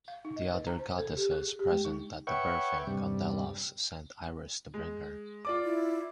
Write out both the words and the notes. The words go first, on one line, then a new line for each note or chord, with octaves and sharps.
The other goddesses present at the birthing on Delos sent Iris to bring her.
F5
D#4
D#5
B4
A#5
C5
A4
G4
G#4
G4
G#3
D#4
B4 C#5 E5 F#5 G5 C#6
G2 C3 G3
G#3
F4 D5 D6
E4